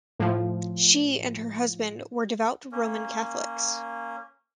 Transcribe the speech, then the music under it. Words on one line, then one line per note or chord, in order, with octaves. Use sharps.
She and her husband were devout Roman Catholics.
A2 F3
A#3 C#4